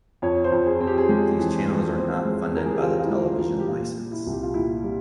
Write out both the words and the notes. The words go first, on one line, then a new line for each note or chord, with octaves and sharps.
These channels are not funded by the television licence.
F2 C#5
C5
F2
G#4
C4
G4
G#4
G#3 G4
E3
G#3
C4
G#3
E3 A#4
G#4
G4
C4 F4
F4
E4
G#3
F4
E3
G4
A#2 F4
G3
E4
C2
G4
F4
A#2 E4
G3